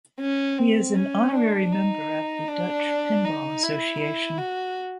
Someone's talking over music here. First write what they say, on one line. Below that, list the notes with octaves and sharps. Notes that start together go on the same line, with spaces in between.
He is an honorary member of the Dutch Pinball Association.
C#4
C4
C#4
D4
D#4
D4
D#4
E4
E4
F#4